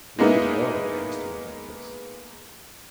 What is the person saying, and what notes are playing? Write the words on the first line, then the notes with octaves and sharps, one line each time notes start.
Lady Helena asked him about this.
G#3 A#3 B3 D#4 E4